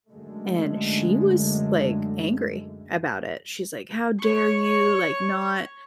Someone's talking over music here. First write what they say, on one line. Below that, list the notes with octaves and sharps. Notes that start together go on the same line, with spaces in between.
and she was, like, angry about it, she's like, "How dare you, like, not
F#2 D3 G#3 A3
C#5 C#6